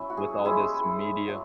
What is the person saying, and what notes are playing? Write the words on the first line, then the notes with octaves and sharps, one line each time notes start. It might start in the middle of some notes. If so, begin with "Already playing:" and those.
with all this media.
Already playing: F#3 C#4 E4
F#4
G#4
G#3 C#4 E4 G#4
F#3 A3